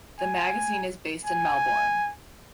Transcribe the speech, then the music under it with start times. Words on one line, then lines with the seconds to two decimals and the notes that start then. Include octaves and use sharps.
The magazine is based in Melbourne.
0.20 G#5
1.25 G#5